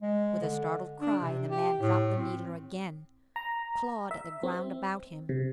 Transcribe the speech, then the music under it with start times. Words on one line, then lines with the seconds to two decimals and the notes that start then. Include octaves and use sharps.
With a startled cry the man dropped the needler again, clawed at the ground about him.
0.02 G#3
0.41 D3
1.01 D4
1.21 C3
1.49 G4
1.80 A2
2.17 C4
3.36 A#5
4.11 E5
4.43 C4
5.29 C3